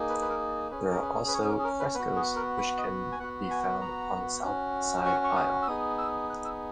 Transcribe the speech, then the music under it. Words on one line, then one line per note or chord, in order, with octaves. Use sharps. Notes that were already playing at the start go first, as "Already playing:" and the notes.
There are also the frescoes which can be found on the south side aisle.
Already playing: A#3 D#4 G#4
B4
B4
A#4
C#4 G#4 B4
A#4
B4
B4
C#5
G#4
A#4
G#4
A#4
B4
B3 F#4 B4
G#4
A#4
B4
D#5
G#5
B3 F#4 F#5
G#5
A#5
C#4 F#4
C#6
C#6
D#6
E6
B3 D#4 G#4 D#6
E6
F#6
E6